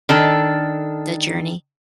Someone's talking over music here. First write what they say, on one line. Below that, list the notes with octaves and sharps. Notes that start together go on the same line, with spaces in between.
the journey.
D#3 D4 A4